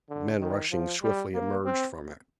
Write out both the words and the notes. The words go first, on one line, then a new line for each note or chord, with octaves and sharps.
Men rushing swiftly emerged from it.
D3
D#3
F3
G3
A#3
C4